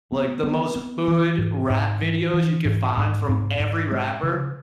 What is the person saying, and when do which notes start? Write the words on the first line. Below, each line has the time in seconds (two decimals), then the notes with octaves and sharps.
like, the most hood rap videos you could find from every rapper,
0.12 B3
0.43 B3
0.76 B3
1.08 E3
1.38 G#2
1.70 G#2
2.02 E3
2.34 E3
2.65 G#2
2.97 G#2
3.29 G#2
3.60 G#2
3.92 G#3
4.23 C#3